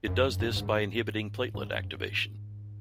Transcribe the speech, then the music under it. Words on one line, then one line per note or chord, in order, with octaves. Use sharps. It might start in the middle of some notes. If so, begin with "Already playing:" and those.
It does this by inhibiting platelet activation.
F#2
G2
G#2
A2
G#2
G#2
G2
F#2
G2
G#2